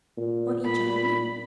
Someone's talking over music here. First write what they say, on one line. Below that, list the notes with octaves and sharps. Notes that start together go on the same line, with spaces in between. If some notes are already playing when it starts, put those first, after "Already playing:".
Won't you join me?
A#2
A#2 B5